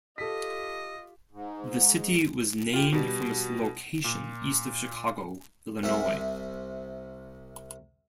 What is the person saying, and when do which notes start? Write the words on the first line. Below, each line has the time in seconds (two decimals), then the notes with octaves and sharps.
The city was named from its location east of Chicago, Illinois.
0.18 F4 G4 A4 D#5 B6
1.31 G#2
2.73 F4 G4
2.92 B2 G3
4.04 A#2
5.83 C2 C3 E5